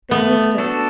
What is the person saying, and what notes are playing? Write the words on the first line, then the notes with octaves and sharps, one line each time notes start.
There he stood.
A3 B3
D4 F#4 A4